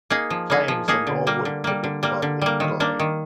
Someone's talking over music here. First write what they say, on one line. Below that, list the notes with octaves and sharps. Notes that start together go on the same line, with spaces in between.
Playing for Norwood Cricket Club in Adelaide.
A#3 D#4 G#4
F3
A#3 D#4 G#4
F3
A#3 D#4 G#4
D3
G3 A#3
D3
G3 A#3
D3
G3 A#3
D3
G3 A#3
D#3
A#3 D4
D#3